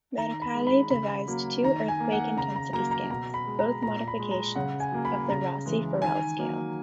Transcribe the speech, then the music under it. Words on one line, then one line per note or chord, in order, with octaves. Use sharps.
Mercalli devised two earthquake intensity scales, both modifications of the Rossi-Forel scale.
D#3 A#5
B5
G#3
B5
C#3 B5
F#3 A#3
D#3 A#5
G#5
A#3
F#5
C#3 A#5
A#5
F#3 A#3 A#5
A#5
B2 A#5
B5
G#3
A#5
A#2 A#5
B5
G#3
A#5
C#3 F#5
G#5
F#3 A#3
B5
C#3 A#5
E3 G#3
D#3 G#5
F#3 A#3